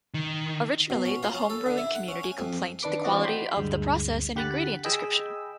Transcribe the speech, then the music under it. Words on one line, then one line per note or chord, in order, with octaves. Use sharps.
Originally, the homebrewing community complaint the quality of the process and ingredient description.
D#3
B2
C#4
F4
C#4
A4
D3
E4
F#5
C#4
G#5
F2
D#3 D4 B4 D6
E3 C4 F#4 D5 D#5
G5 B5 C6
D2 G2 G#3
D3 G4 F#5 B5 F#6 A6
G#4 D#5 G5 G#5 B5 E6